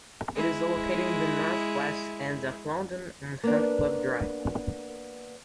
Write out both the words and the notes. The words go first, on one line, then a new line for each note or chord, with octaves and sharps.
It is located in the north-west end of London on Hunt Club Drive.
G#3 E4
A#3 B3 D4